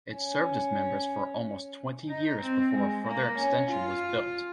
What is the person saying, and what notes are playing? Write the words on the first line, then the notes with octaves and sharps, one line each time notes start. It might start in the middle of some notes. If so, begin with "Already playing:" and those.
It served its members for almost twenty years before a further extension was built.
C#4
D#4
C4
G#3
A#3
C#4
F4